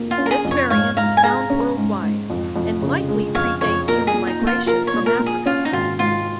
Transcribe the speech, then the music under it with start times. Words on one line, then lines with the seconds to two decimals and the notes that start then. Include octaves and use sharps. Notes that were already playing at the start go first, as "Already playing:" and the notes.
This variant is found worldwide, and likely predates human migration from Africa.
Already playing: F2 A#3
0.11 F4
0.18 C#4
0.26 A#4
0.31 G#4
0.45 F2
0.51 C#5
0.70 G#2 C#5 F5
0.96 G#2 F5 A#5
1.17 G#5
1.23 G#3 F5 A#5
1.50 C#4
1.77 G#2
2.02 G#2
2.30 F2
2.56 F2
2.82 C#3
3.08 G#3
3.35 F2 C#5 F5
3.61 F2 C#5
3.88 A#2 A#4
4.07 G#4
4.14 A#2
4.27 D#4
4.41 A#3
4.47 F4
4.66 F4 A#4
4.87 C#5
4.94 A#2
5.06 A#4
5.19 A#2
5.26 G#4
5.46 C#4 F4
5.65 D#4
5.72 G#1 F4
5.99 G#2 F4